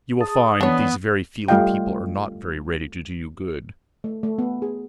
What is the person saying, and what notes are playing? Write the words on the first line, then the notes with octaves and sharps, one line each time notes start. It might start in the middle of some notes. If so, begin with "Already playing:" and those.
You will find these very feeling people are not very ready to do you good.
G#4 A5 D#6 A6
E3 B3 D4 C#5
G3 A3 F4 D#5 F5 G5
A3
A3
B3
G#4